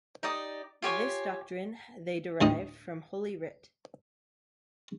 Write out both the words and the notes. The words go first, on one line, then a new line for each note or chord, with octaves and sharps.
This doctrine they derived from Holy Writ.
D#4 G4 D5 D#6
F4 G4 C#5 G#5
D2 A2 D#4 D#5